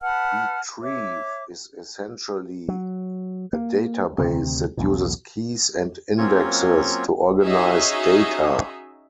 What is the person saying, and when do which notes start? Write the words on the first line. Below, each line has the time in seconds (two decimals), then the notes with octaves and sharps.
Btrieve is essentially a database that uses keys and indexes to organise data.
0.01 B4 F#5 A5 F6
0.82 C#5 E5 D6
2.68 F#3
3.53 A#3
4.18 D2 C3 D#3 C4
4.77 B1 E2 A2
6.18 F#3 A#3 C4 C#4 F4 C#5
7.42 C#4 D#4 F#4 G#4 D#5 E5